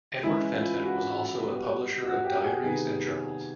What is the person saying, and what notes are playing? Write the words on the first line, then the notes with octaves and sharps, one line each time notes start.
Edward Fenton was also a publisher of diaries and journals.
C#3 E3 G#3 E4
F4
F#4
B2 G3 B3
F#4
G4
G#4
C3 D#3 G3 B3 G#4